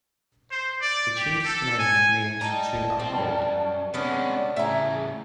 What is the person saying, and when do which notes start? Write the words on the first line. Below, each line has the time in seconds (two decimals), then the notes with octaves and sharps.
The chief's name means to uphold.
0.51 C5
0.82 D5
1.16 G4
1.45 A4
1.78 G#5
2.41 G3 D#5 A5 A#5
2.99 G3 C4
3.16 F#2
3.94 C3 G#3 B3 C#4 D4 D5
4.56 A2 C#3 G#4 E5 A#5